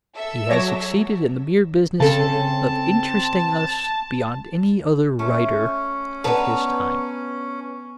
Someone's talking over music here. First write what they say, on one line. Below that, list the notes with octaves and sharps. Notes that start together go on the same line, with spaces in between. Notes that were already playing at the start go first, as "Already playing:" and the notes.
He has succeeded in the mere business of interesting us beyond any other writer of his time.
A4 E5 E6
F#3 C#5 D6 A#6
C#3 C4 A4 A5
A3 C#4
B3 D4 B4 A5 A#5